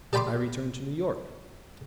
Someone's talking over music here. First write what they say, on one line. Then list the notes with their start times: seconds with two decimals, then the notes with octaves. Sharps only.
I returned to New York.
0.13 G4 D5 G5 B5 C6 D6